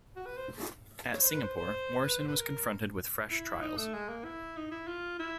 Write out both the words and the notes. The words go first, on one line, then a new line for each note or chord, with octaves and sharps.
At Singapore, Morrison was confronted with fresh trials.
F#4
B4
C5
C#5
C5
B4
C5
C5
B4
C5
B4
A#4
E4
D#4
A3
G#3
A#3
E4
D#4
E4
F4
E4